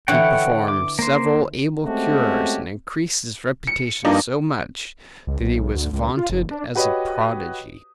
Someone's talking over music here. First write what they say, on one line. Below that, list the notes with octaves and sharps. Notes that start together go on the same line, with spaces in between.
He performed several able cures, and increased his reputation so much that he was vaunted as a prodigy.
D3 E3 C#5 F#5 G5
D6
A#3 C5
G#3 A3 C4 C#4 F#4 G4
C#7
G2 F3 A#3 D4 D#4
C#2
B1
D2
C#2
F4
F#1
D4
F#4 G4 B4 C#5 D#5